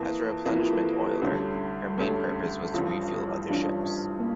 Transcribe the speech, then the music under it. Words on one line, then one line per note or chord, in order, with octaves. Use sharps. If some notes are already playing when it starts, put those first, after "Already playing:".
As a replenishment oiler, her main purpose was to refuel other ships.
Already playing: F2 E3 A#3
F2 E3 A#3
F4
G4
A4
G4
D2 D3 G3 C#4
D2 D3 G3 C#4
A1 G2 F3 C#4 F4
A1 G2 F3 C#4 D4
A#3